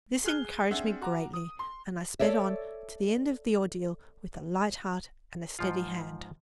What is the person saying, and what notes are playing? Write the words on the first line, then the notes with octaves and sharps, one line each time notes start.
This encouraged me greatly, and I sped on to the end of the ordeal with a light heart and a steady hand.
G#4 F6 F#6 G7
C4 D4 G#4 E5 F#5
F#4 A#5 D6
D#6
C6
A4 C#5 D5 E5
G#2 F3 F4